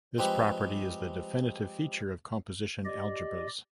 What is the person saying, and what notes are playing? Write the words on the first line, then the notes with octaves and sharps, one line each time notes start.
This property is the definitive feature of composition algebras.
F3 G3 G#3 C4 G4 B4
G4 D5 D#5